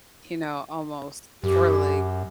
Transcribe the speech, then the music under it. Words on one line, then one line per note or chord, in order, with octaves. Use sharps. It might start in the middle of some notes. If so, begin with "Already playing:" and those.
you know, almost for, like,
F#2 G4